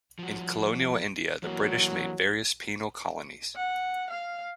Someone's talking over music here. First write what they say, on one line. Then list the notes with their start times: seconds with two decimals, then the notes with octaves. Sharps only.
In colonial India, the British made various penal colonies.
0.19 F3 F#4
1.43 E3 F#3 A#3
3.56 F#5
4.10 F5